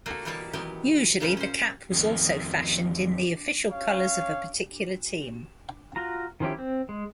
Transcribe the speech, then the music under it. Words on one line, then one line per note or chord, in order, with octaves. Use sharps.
Usually, the cap was also fashioned in the official colors of a particular team.
D3 A3 A#3 F#4
B2 E3 G3 A#3 C#5 D5
D#3 E3 F#3 B3 G4
A#2 C#3 C#4 F4 C5 E5
C#4 C5
F2 D#3
C#4 C#5 F5
F4 F#4 A#5
D#3 F3 C#4 E4 G4
C4
G#3